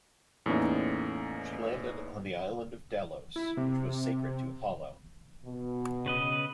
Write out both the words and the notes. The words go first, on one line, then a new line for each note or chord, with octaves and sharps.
She landed on the island of Delos, which was sacred to Apollo.
E2 A2 A#3 C#4 D#4
E4
C3
B2
C#3 B4 D#5